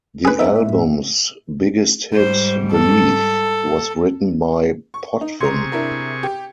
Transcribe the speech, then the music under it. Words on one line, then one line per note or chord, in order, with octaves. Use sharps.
The album's biggest hit, "Believe", was written by Potvin.
G#4 B4
B3 D#4 E5
A2 E5
G#2 G3 C5
A4
C#6
D#4
C3 G#4 A#5 C6 C#6
D4 E4 A#4
G4